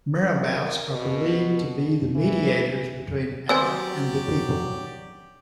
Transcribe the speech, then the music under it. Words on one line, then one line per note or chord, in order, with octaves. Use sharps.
Marabouts are believed to be the mediators between Allah and the people.
A#4
B2
E3
F#3 C4 G4 B4 C5 D5 G#5 E6